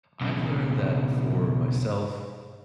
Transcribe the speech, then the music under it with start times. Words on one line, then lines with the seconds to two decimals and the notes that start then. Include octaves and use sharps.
I've learned that for myself
0.21 B1 C#3